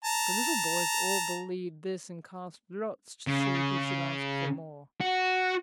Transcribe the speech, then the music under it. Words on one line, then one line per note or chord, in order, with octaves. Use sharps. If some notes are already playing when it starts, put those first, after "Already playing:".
The little boys all believed this and cast lots to see who should ask for more.
A5 A#5
C#3
F#4